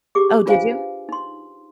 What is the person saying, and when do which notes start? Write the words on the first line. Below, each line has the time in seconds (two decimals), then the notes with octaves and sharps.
Oh, did you?
0.15 G4 G#4 D6
0.46 D4 F4 B4 C5 F5 G#5
1.09 D#4 C6